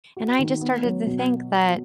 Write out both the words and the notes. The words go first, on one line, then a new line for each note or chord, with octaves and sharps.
and I just started to think that
F#4
D#3
B3
F#3
B2